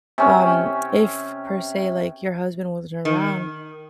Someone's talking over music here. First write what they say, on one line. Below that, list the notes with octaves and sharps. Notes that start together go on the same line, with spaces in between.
Um, if, per se, like, your husband wasn't around,
C3 C#4 C#5
D#3